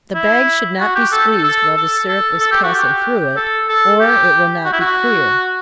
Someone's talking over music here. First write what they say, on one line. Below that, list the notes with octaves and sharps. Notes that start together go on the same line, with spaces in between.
The bag should not be squeezed while the syrup is passing through it, or it will not be clear.
E4
F#4
G4
A4
A4
A4
A4
A4
A4
G4
F#4
G4
A4
A4
G4
F#4
E4
F#4